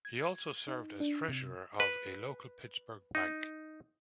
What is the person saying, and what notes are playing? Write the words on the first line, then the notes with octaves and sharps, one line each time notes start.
He also served as treasurer of a local Pittsburgh bank.
G#6
D#4
D4
C3
B4
D#4